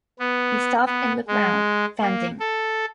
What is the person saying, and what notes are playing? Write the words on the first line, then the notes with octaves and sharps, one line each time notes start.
He stopped, and looked round, panting.
B3
B3
G#3
A#3
A4